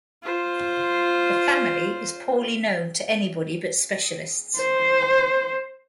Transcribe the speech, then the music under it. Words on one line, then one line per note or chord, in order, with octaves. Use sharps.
The family is poorly known to anybody but specialists.
F4 C5
C5